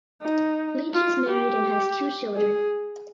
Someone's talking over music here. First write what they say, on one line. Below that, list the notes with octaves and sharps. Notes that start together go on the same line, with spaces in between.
Leach is married and has two children.
D#4
F4
G4
G#4